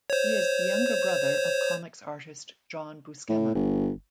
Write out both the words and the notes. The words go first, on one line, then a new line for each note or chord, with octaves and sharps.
He is the younger brother of comics artist John Buscema.
C5 C#5
A2
G1